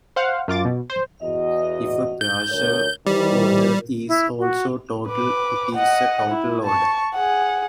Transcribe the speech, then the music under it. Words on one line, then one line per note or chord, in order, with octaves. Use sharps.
If a partial order is also total, it is a total order.
C5 F5 F#5
F#2 F4 D6 A6
B2
C5
E2 F#4 D#5
G6
D2 A#4 C#5
D#3 E3 G3 C5
E4
F#4
B4 D6
D#5 F#5
E4
A5 C#6
G#4 F#5